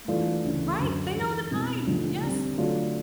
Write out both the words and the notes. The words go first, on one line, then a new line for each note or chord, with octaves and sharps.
Mhm. Right, they know the time! Yes,
E3 A3 D4 F4 A4
D2 C#3 E3
F#2 D3 F#3
G#2 E3 G#3
B2 G#3 C4 E4
D#2 D3 F3 A3 D4
D3 G3 C4
D3 F#3 A3 D4 F4